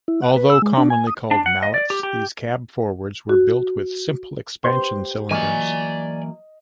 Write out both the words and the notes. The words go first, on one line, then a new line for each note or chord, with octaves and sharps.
Although commonly called "Mallets" these cab-forwards were built with simple expansion cylinders.
E4
F#5
B4
E6
G#3
D4
G#5
D#6
D4
F#5
D#5
D5
G4
G4
F#4
G4 B4 C5 C6
E3 F#3 A#3 D5 D#5 G#5